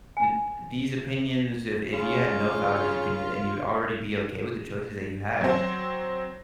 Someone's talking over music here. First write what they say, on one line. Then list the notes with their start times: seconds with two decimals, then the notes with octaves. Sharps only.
n these opinions, if if you had no thought of these opinions and you'd already be okay with the choices that you have,
0.17 G#5
1.94 C#3 F4
5.41 F#3 C4